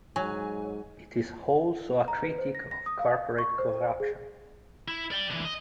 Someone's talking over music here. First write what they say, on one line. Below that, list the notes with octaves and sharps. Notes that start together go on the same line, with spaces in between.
It is also a critique of corporate corruption.
G#2 F#3 G#5
A#5
B4
C5
A#6
A#6
D#6
F5
C#6
C5
G#4
E4
D5 G5
D3 E3
D#5